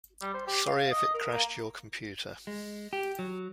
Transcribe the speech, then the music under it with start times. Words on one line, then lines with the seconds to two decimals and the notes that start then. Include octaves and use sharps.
Sorry if it crashed your computer.
0.22 G3
0.34 C5
0.47 G4
0.67 F5
0.91 D#5
1.14 A#4
1.33 A#3
2.47 G#3
2.93 G4
3.19 F#3